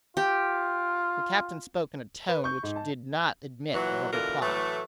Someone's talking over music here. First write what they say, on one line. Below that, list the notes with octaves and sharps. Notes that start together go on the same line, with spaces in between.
The captain spoke in a tone which did not admit of a reply.
F4 G4
B4
C#6 G6
G#2
A5
A#2 E3 F#3
B2 D3 E3 F4 A#4
A2 E3 F#3 A3